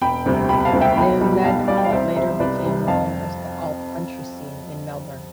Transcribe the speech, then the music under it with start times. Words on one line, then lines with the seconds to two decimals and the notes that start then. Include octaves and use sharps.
They led what later became known as the alt-country scene in Melbourne.
0.02 E1 G5 B5
0.26 D2 C3 G3
0.49 E1 G5 B5
0.60 B5
0.65 F5 A5
0.73 D2 C3 G3
0.81 E5 G5
0.97 B1 G5 B5
1.21 B2 G3
1.44 B1 F5 A5
1.68 B2 G3 D5 F5
1.77 G5
1.85 F5
1.92 C2 C5 E5
2.16 C3 G3 C5 E5
2.39 C2 B4 D5
2.64 C3 G3
2.87 F2 F5 A5